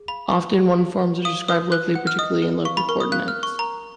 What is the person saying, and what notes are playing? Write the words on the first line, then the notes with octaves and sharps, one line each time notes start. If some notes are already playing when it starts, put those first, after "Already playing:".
Often one-forms are described locally, particularly in local coordinates.
Already playing: G#4
F5 B5
B4 C#6
G#4
F5
B4
F5 D#6
B4 D#6
B4 F#6
F#5
F6
D#5 D#6
B4
F5 C#6
B5
A#4 C#6
D#6
F5 F#6
F6
A#4
C#6
A#4 A#5